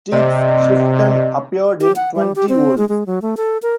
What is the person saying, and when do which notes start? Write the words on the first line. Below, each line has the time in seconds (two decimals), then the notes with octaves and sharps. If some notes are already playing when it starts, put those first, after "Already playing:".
Tieck's "Schriften" appeared in twenty vols.
0.12 C3 D5 D#5
1.81 G4
1.96 F#5
2.15 G3
2.36 G4
2.49 C4
2.78 G#3
2.89 G#3
3.07 F#3
3.22 A3
3.37 A4
3.62 A#4